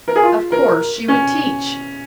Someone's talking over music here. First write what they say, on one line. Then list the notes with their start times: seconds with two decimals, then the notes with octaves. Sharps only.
Of course she would teach!
0.08 A#4
0.16 G#4
0.23 F4
0.52 A#4
1.08 C#4